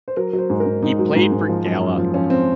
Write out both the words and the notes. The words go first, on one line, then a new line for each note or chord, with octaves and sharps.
He played for Gala.
C5
F#3 A#4
F#3
C5
G#2
A#4
G#2
G#2 D#4
F#3
G#2
G#2
F3
F#2
F#2
F3
F3 C#4
C4